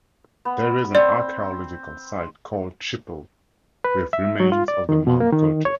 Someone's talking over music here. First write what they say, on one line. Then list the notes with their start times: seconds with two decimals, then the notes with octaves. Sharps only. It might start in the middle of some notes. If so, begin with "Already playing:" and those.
There is an archaeological site called Chipel, with remains of the Mam culture.
0.45 B3
0.95 C4 D5
3.84 B4
4.13 E5
4.40 F#3
4.52 F4
4.68 D5
4.89 D#3
5.07 B2
5.20 A#3
5.33 D#3
5.65 C#5